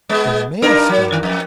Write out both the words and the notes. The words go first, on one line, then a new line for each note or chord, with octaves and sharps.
The Maelstrom!
G#3 B3
G2 D4 A#4
F#3
G2 D#3
F2